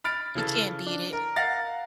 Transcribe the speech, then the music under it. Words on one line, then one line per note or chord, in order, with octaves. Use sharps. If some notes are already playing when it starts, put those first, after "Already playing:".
You can't beat it.
B5 F6 A6 D7
C#3 E3 A4 A6
D4
A#4
F5 F#5 A#5 A6 A#6